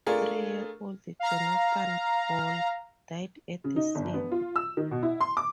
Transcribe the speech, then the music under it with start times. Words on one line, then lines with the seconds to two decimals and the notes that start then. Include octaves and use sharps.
Three-year-old Johnathan Ball died at the scene.
0.06 A3 D4 F4 G#4 A#4
1.19 F5 A#5
3.64 C#3
3.76 D#4
3.95 G1
4.14 B3
4.32 F4
4.56 E6
4.77 D#3
4.91 B2
5.03 E4
5.20 C6
5.37 D6